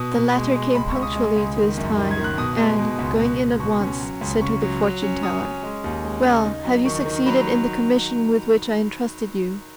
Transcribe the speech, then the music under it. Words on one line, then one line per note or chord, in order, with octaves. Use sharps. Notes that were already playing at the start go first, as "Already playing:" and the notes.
The latter came punctually to his time, and, going in at once, said to the fortune-teller, "Well, have you succeeded in the commission with which I entrusted you?"
Already playing: B2 D#6
B2
G#3
G#3
C#2 B5
C#6
C#2
D#6
G#3
C#2
D#3
F#2
D#3
G#6
D#3
F#6
B2 D#6
G#3
B2
C#2
B2
B2
B2 C#6
C#4
F#3
C#2
C#3 C#6
F#3
F#3
C#4
C#4 D#6
C#4
G#3
D#2
G#3
C#3
D#4
F#3
D#3 C#6
D#3
F#3 B5